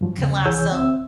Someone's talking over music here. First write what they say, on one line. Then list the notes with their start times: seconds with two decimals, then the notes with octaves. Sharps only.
can last so l
0.01 G2 F3 F#3
0.17 D#2 C#3
0.45 C2 E3 G#4 C#5 E6 G6
0.71 D2 C4 E5 E6